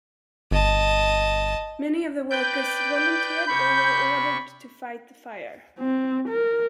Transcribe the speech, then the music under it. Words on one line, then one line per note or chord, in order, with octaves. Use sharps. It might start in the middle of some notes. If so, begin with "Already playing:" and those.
Many of the workers volunteered or were ordered to fight the fire.
G1 D#5 A5
B4 D5 G5 G6
C3 B5 C#6
C4
A#4